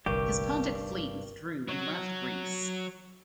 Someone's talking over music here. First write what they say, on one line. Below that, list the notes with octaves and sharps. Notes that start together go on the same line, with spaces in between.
His Pontic fleet withdrew and left Greece.
G1 C2 G2 G4 A#4 C#6
F#3 F#4